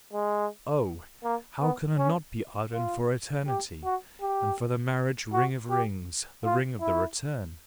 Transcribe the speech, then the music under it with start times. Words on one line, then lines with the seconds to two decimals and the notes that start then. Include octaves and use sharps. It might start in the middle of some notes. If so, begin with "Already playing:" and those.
Oh, how could I not be ardent for Eternity and for the marriage-ring of rings--the ring of the return?
0.13 G#3
1.24 A#3
1.61 B3
1.98 C#4
2.73 F4
3.48 G4
3.84 F#4
4.21 G4
5.33 F#4
5.70 G4
6.44 F4
6.81 E4